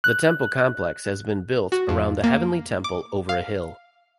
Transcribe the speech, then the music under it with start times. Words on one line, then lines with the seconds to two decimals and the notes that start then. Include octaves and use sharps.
The temple complex has been built around the heavenly temple over a hill.
0.04 F#6
1.72 F#4
1.89 F2
2.24 A#3
2.84 D6
3.29 F5